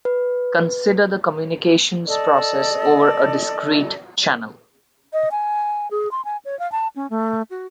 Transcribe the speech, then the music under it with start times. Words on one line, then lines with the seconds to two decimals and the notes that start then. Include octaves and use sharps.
Consider the communications process over a discrete channel.
0.05 B4
2.06 A4 D5 D#5
5.13 D#5
5.31 G#5
5.91 G#4
6.11 C6
6.25 G#5
6.45 C#5
6.59 F5
6.72 A5
6.96 C#4
7.10 A3
7.51 F#4